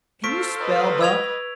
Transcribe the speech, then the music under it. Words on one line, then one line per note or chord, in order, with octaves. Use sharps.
"Can you spell, Buck?"
F4 A4 C5 C#6 B6 D7
B4 D#5
E6 G#6 F7